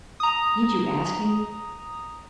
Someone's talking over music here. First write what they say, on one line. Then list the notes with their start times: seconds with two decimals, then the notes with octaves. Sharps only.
"Need you ask me?"
0.20 A#5 D#6